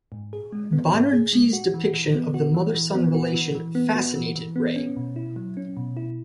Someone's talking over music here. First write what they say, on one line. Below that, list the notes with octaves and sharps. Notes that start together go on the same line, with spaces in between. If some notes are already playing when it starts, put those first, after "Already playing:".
Banerjee's depiction of the mother-son relation fascinated Ray.
G#2
G#4
G#3
B3
G#2
G#4
G#3
F#4
E3
E3
B3
F#4
E3
E3
B3
F#4
E3
E3
B3
F#4
E3
E3
B3
C#4
B2
E4
F#3
C#4
B2
E4